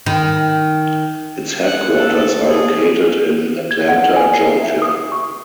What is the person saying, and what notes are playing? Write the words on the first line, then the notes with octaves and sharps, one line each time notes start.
Its headquarters are located in Atlanta, Georgia.
D#3
F#5
A4
G#4
G#6
F#5
G#5
C7
E5
D#6
C#6